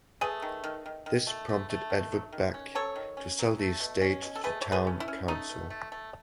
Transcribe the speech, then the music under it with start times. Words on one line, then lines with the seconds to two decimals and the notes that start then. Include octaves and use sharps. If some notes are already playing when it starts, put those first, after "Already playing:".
This prompted Edvard Bech to sell the estate to the town council.
0.21 A3 G#4 B4
0.42 D#3
0.64 D#3
0.86 D#3
1.06 D#3
1.27 A3
1.49 A3
1.70 A3
1.90 D#3
2.12 F#3
2.33 D#3
2.54 C#4
2.75 F#3 A4 C#5
2.96 D#3
3.17 C#4
3.39 F#3
3.59 A3
3.80 B2
4.01 C#4
4.22 B2
4.35 A4
4.44 A3 G#4 B4
4.62 C#5
4.65 A3
4.72 G#4 B4
4.87 C#4
5.00 E4
5.08 C#4
5.28 A3 D#4
5.49 B2
5.70 A3
5.92 A3